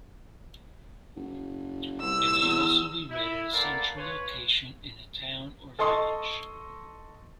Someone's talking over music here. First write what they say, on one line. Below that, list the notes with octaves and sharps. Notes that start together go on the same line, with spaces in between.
It may also be read at a central location in a town or village.
F#1
C2 E6
E2
E4
A#3 B3 A4 A#4 D5 F5
C#4 F4 B4 C#5
A4 D#5 C6 C#6 D#6